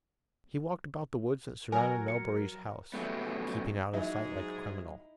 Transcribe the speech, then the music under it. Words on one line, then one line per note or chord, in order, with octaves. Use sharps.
He walked about the woods that surrounded Melbury's house, keeping out of sight like a criminal.
F#3 A#4 G#5
C#7
F#2 F#3 G3 A3 B3
G#2 F#3 D#4 E4 G#4